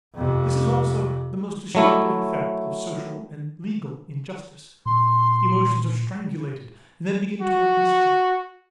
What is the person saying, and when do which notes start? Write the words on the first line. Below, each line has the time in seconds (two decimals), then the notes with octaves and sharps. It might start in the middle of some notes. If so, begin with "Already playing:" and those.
This is also the most destructive effect of social and legal injustice; emotions are strangulated and then begin to work mischief.
0.15 F2 C3
1.75 F#3 A3 E4
4.86 A#2 C6
7.41 F#4